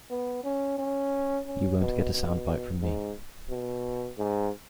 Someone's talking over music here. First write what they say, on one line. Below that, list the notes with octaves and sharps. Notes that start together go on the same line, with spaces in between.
You won’t get a soundbite from me.
B3
C#4
C#4
C#4
B2
B2
G#2
B2
G#2